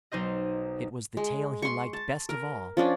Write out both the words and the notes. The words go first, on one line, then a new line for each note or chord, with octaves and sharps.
It was the tale he liked best of all.
B1 D#4 C5 D#5
G#3
C6 C#6
A5
A#4
F3 C#4 D4